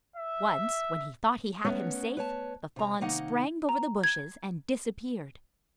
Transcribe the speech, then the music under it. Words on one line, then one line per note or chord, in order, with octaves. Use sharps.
Once, when he thought he had him safe, the fawn sprang over the bushes and disappeared.
E5
A3 B3 C#4 A#4 B4 C#5
B4 C#5 A5
C3 A#5
C3 D#3 A#3 D#4 F#5
A#5
G#6